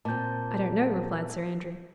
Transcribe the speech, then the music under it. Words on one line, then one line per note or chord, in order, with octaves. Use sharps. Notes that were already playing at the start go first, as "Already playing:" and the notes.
"I don't know," replied Sir Andrew.
A#2 C4 A5 G6